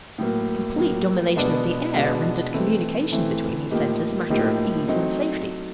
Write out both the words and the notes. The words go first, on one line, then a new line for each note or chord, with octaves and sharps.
Complete domination of the air rendered communication between these centers a matter of ease and safety.
A2 F#3 A#3
A2 F#3 A#3
B2 G#3 B3 D4
B2 G#3 B3 D4
E3 A3 C4 E4
E3 A3 C4 E4
A2 F3 A#3 D#4 G4
A2 F3 A#3 D#4 G4
F#3 A3 C4 D#4